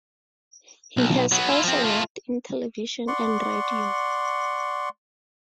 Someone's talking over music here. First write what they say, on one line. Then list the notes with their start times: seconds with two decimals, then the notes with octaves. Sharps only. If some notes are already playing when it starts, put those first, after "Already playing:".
He has also worked in television and radio.
0.97 B1
1.32 F#3 B3
1.49 E4 F4
1.64 F3 C4
1.84 A3 F4
3.08 D5 F#5 C6 C#6